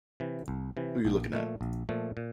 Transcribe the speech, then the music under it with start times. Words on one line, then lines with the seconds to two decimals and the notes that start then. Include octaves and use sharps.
Who You Looking At?
0.20 C3 E3
0.48 C2
0.77 C3 E3
1.05 A#1
1.33 A#2 F3 A3
1.61 A#1
1.89 A#2 F3 A3
2.17 A#2